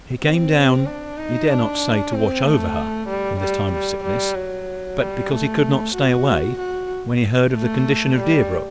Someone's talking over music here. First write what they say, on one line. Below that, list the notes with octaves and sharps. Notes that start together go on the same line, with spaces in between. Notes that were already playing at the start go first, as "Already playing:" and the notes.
He came down--he dared not say to watch over her in this time of sickness--but because he could not stay away when he heard of the condition of Deerbrook.
C4
D4
D#4
D4
C4
A3
G3
G3
G3
G3
F#3
G3
A3
F#4
F#4
A3
G3